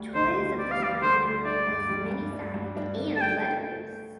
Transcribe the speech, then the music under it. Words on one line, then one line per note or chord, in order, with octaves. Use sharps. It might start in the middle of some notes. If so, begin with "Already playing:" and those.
Toys of this kind are now made with many sides and letters.
Already playing: D2 G3
D3 C5
D2
G3 D5
F5
G3 D5
D3 C5
D2
D4 D5
G2
G3
G2
D4
G2
D4
D3
A5
A3 G5
A3